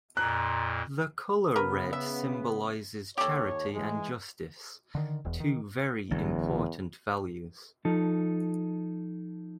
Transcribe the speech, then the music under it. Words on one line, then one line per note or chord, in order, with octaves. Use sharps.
The colour red symbolizes charity and justice, two very important values.
F2 A#2 A#5 F#6
C#3 B3 A#4 B4
E5
D#2 G4 A4 C#5
E3 G#3
D3 D#3
E1 E2
D#3
A1 E2 D3 F#3
F3 D#4 A4